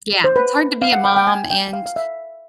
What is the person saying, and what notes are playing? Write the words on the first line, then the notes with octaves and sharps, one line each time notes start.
Yeah, it's hard to be a mom and
C5
B4
F5
F#5
G5
G5
G#5
G5
F5
F5
E5